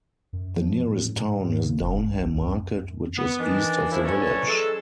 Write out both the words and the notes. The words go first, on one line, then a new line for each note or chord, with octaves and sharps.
The nearest town is Downham Market which is east of the village.
F#2
F3
A2
G#2
G#2
C#3
F1
B1
C#2
F#2
B3
D#3 E3 D4
F3 E4
D2 E3 F#3 C#4 A4 C#5
G#3 A4 E6